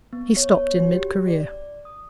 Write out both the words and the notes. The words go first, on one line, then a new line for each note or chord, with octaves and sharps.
He stopped in mid career.
B3
C#5
C#5
F#4
G4
D5
D#6